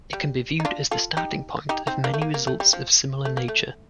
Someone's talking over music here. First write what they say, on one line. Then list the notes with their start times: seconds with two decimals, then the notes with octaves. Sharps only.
It can be viewed as the starting point of many results of similar nature.
0.13 G3
0.60 D#4
0.65 D4 F4
0.91 F4 A4
1.17 D#4 G4
1.69 D#4 G4
1.87 C4 D#4
2.04 A#3 D4
2.14 A3
2.22 A#3
2.34 A#3
2.47 A3
2.60 G3
2.73 F3
3.25 A3
3.37 A#3
3.48 A3